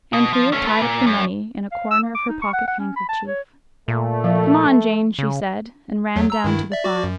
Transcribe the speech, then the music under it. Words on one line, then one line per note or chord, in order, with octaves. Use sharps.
Anthea tied up the money in a corner of her pocket-handkerchief. 'Come on, Jane!' she said, and ran down to the farm.
B2
F3
A3 C#4
A4 B4
A#2
F#2
F5
E6
A#3
D6
D#4
C#6
F#5
F#5
C#4
B5
A5
C#5
A#2 A3
F3 F5
C#3
E2 F#3
A#5 E6
G2 D#3 E4
D5 E5
F#4 D5 D6
F#2